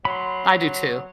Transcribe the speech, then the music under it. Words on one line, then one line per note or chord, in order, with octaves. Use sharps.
I do too.
F#3 B5 C6